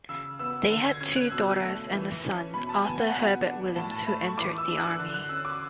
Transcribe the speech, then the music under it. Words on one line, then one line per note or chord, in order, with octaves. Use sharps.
They had two daughters and a son, Arthur Herbert Williams, who entered the army.
C#3 E6
B3 E6
D3
G#6
C#4 G#6
F#6
B2 E6
A3
E3
C#4
B2 B5
A5
B3 G#5
F#5
B2
D4
A2 A5
A5
A3 B5
C#6
E3 D6
E6
D4
F#6
D3
F#6
C#4 E6
D6